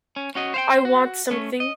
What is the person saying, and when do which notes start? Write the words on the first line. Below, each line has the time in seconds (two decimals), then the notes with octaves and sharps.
I want something.
0.16 C#4
0.35 C#4 F#4 D#5
0.54 C5 F5 G5
0.85 F#4
1.31 A3 C#4
1.60 D#5